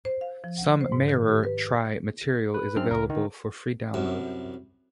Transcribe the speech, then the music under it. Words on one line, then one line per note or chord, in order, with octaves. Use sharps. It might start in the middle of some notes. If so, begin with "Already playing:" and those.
Some Maeror Tri material is available for free download.
C5
F5
F3
F#5
C5
G#2
D#3
G4
B4
B4
F#2 C4 D4 F6
C#2 A#4
D3 D#3
C2 F#2